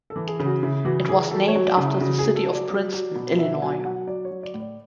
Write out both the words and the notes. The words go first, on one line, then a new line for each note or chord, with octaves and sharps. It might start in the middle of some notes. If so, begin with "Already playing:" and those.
It was named after the city of Princeton, Illinois.
A4
E3
G#4
C#3
F#4
C#3 E4
E3 F#4
E3 G#4
F#3 A4
C#5
F#3
D5
C#3
E4
C#3 F#4
G#4
F#3
A4
F#3
D5
F#3
F#3
B2
B2 E5
F#3 G#5
F#3 F#5
F#3 D5
C#5
F#3
D5
A2
D5